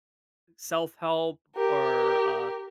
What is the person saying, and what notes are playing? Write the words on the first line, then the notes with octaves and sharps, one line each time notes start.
self-help or, uh
G4 A#4